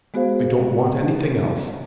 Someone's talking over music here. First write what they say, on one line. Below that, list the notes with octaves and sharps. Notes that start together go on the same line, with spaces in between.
I don't want anything else.
G#3 B3 F#4 G#4 C5 F5